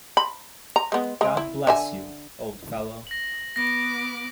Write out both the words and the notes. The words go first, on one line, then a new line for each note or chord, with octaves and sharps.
God bless you, old fellow!
B5
A#5
G#3 B3
G#3
E4
D3 E5 G#5
A#6 F#7
B3 D6 A#6